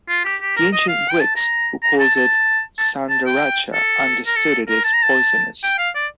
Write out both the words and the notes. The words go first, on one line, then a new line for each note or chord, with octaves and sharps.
The ancient Greeks, who called it ""sandaracha"", understood it is poisonous.
F4
G4
G4
A#4
D#5
F5
G5
A5
A#5
A#5
A5
A5
A5
A5
G5
A4
A#4
A4
A#4
A5
A#5
A5
G5
F5
D5